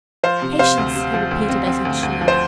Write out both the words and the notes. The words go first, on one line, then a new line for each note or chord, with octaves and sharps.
"Patience!" he repeated as he chewed.
F3 C5 F5
C3
C3 C5 F5
D2
C3
F3
D2
C4
C4
D2
D2
F3
C5